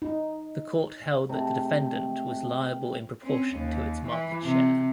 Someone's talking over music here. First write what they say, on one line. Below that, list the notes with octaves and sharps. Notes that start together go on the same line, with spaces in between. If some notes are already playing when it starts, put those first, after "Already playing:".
The court held that the defendant was liable in proportion to its market share.
D#4
C3 G#3 A3
C4 C#4
D#2
E3
C3